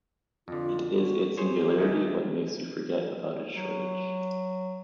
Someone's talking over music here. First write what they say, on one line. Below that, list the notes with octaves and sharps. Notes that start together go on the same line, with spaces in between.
It is its singularity what makes you forget about its shortage.
F2 D3 F4
F#4
G4 G#4 C5 C#5
D#3 G#3 A3
F#3